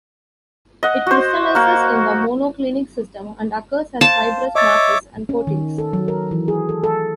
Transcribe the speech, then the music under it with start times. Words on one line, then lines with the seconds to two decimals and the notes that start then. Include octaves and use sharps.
It crystallizes in the monoclinic system and occurs as fibrous masses and coatings.
0.83 D#5 F#5
1.07 F#4 C5
1.55 A#3 F#4
4.01 C5 F5 A5
4.55 C#5 D#5 E5 D6 A6
5.29 C#4
5.47 D#3
5.78 A4
5.93 F#3
6.08 A#4
6.31 E3
6.48 G#4
6.69 A4
6.84 A4